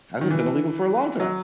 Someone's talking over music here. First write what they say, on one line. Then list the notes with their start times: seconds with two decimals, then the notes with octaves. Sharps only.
Hasn't been illegal for a long time,
0.21 D#3
0.30 E3
1.20 F#3